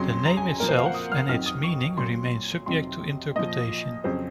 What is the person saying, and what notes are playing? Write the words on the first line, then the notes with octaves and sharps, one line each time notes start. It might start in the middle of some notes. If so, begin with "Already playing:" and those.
The name itself and its meaning remain subject to interpretation.
Already playing: F2 C#3 F#3 C6
A#5
G#5
G#5
A#2 F3 A#4
C5
F5
F#5
D#6
F6
F2 D#3 F#3 F6
D#6
C#6
A#2 F#3 C6
F2 C3 D#3 F#3 C6
A#2 F3 D#5
F2 C#3 F#3 C5